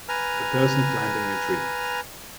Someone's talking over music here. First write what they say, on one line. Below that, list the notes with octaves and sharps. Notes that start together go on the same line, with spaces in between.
A person climbing a tree.
B4 G#5 A#5 F6